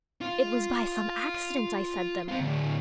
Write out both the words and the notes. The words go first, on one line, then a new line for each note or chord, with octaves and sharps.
It was by some accident I said them....
F4
C4 F4
D2 A2